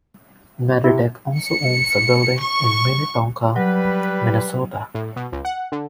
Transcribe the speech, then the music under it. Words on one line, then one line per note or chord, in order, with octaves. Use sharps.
Meditech also owns a building in Minnetonka, Minnesota.
C3 E4
C#7
C#6
F#3 G3 B4
A2
B2
C#2
F#5
D3